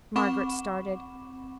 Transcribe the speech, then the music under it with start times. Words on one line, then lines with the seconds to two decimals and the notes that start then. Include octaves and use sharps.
Margaret started.
0.16 C4 F#5 B5 C#6 D6 E7